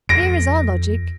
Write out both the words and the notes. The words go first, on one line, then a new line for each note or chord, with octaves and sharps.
Here is our logic.
F2 A#6 D7